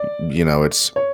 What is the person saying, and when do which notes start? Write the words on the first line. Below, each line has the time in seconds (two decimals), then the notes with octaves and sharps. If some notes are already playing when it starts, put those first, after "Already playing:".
Y you know, it's
Already playing: D5
0.96 C#5